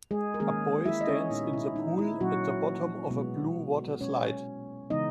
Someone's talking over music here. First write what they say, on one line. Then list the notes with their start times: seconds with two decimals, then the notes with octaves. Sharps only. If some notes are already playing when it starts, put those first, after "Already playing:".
A boy stands in the pool at the bottom of a blue water slide.
0.11 G#3 G#4
0.34 A#4
0.40 D#3 G#3 A#3 C#4 G#4
0.85 E4 E5
1.01 D#5
1.08 C#4 C#5
1.30 A#2 G#3 B3 D#4
1.53 E4
1.76 D#4
1.99 E4
2.20 A#2 F#3 A#3 C#4 F#4
3.10 B2 G#3 B3
4.01 B2 G#3 C#4 C#5
4.90 C#3 E3 G#3 B3 D#4 D#5